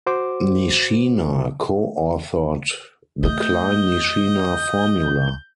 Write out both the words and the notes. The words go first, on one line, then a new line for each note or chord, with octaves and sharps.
Nishina co-authored the Klein-Nishina formula.
F#4 C5 D6
A3 D#5 G6